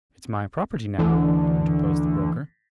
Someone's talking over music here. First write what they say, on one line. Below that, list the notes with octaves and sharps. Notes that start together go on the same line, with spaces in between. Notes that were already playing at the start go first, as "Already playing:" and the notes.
"It's my property, now," interposed the broker.
D2 D3 E3